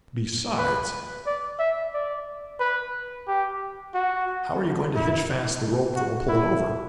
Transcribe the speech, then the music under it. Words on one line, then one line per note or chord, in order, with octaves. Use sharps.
Besides, how are you going to hitch fast the rope that will pull it over?
B4
D5
E5
D5
B4
G4
F#4
E4
F#4
E4